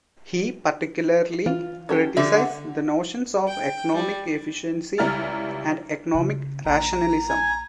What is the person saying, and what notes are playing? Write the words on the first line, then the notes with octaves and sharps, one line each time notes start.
He particularly criticizes the notions of economic efficiency and economic rationalism.
E3 F4
C#4 F#4 G4 A4 G#6
D3 G3 D4 E5
F#5
G5
G3
C#2 G3 E4 A#5 F6 A6
C#3
A#1 F4 A#5
G#5